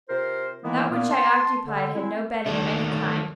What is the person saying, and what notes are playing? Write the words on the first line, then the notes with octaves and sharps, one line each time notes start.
That which I occupied had no bedding of any kind.
C3 F4 A#4 C5
D#3 E3 G#3 A#3 B3 E4
A#2 A#3 B3
A5 C6
D3
G#3 C4 E4
D#3 A3 D4